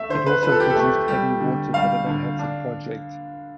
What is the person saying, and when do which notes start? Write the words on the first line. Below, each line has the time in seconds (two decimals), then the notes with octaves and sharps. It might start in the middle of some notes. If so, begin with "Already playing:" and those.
It also produced heavy water for the Manhattan Project.
Already playing: A3 E5
0.09 D3 C5
0.26 B4
0.43 F3 B4
0.52 A4
0.60 G4
0.70 A4
0.76 A3
1.08 G3 G4
1.40 D3
1.73 G3 F5
2.06 D3
2.39 D4